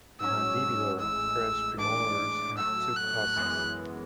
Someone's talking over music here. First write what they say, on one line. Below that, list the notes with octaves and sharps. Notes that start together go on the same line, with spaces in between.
Mandibular first premolars have two cusps.
G#2 F#3 C#4 E6
A1 A2 G#3 E6
A2 E3 G#3 D4 D6
A2 F#3 A3 E6
F#6
F#2 E3 G#3 B3